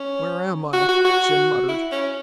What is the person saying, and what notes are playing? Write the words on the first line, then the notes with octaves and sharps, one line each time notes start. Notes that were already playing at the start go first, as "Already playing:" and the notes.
"Where am I?" Jim muttered.
Already playing: C#4
F#4
F#4
F#4
E4
C#4